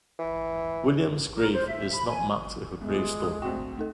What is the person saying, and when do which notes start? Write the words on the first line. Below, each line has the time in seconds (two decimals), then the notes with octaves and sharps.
William's grave is not marked with a gravestone.
0.19 E3
1.33 A#4
1.53 C5
1.67 E5
1.92 B5
2.07 G#5
2.81 E2 G#3
2.95 F4 C6
3.23 D#6
3.42 D2 C4 F#4 G5
3.78 A3 D#4 A4